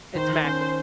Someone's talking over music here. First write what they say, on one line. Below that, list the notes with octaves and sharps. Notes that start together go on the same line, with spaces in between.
It's Max.
D#3 C5
C#4 C5